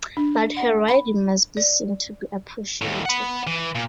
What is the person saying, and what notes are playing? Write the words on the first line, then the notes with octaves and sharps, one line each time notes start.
But her riding must be seen to be appreciated.
D4
F#5
B5
D5
D#2 A2
F#5 B5
E3
A#2